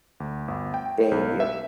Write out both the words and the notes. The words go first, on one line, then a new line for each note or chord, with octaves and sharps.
Thank you.
D2
G1
G5
B1
E5